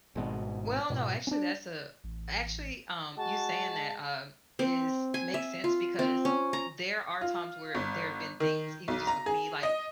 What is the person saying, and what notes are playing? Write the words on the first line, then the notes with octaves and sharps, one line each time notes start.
Well, no, actually that's a actually, um, you saying that, um, is makes sense because there are times where there have been things, even just with me, like
G#1 G#2 B2
G#2 B2
C#4 D4
A1
G#3 F#4 A5
C4
G#5
E5
F4
C4
C#4
A#5
F4
G1
D#3
B1
A#5
G#4
D#5